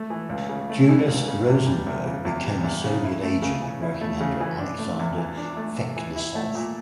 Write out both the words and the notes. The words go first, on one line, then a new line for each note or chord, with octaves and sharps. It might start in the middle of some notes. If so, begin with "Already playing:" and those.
Julius Rosenberg became a Soviet agent working under Alexander Feklissov.
Already playing: A3
E3
C#2
C#3
A3
E3
C#2
C#3
E2
G3
E2
C#3
E2
G3
E2
C#3
E4
A3
C#3
E3
E4
A3
C#3
E3
D4
A3
E2
E3
D4
A3
E2
E3
E4
A3
A#2